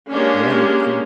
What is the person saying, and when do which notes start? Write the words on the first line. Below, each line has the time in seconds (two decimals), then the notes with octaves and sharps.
Yeah, that's true.
0.11 G#3 A#3 C#4 D4 G4